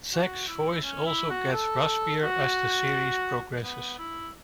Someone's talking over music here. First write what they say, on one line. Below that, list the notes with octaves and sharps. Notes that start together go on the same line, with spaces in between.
Zack's voice also gets raspier as the series progresses.
F#4
E4
C#4
E4
F#4
A4
F#4
B3
E4